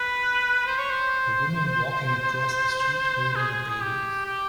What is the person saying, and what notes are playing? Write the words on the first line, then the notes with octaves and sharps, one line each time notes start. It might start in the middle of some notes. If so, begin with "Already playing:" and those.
A woman walking across the street holding a baby.
Already playing: B4
C5
C#5
C5
G#4
G#4
G4
G4